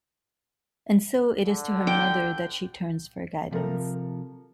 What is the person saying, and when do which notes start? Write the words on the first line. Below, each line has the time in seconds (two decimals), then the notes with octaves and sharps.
And so it is to her mother that she turns for guidance.
1.46 D3
1.87 G5
3.51 C3 F3 A4 A#4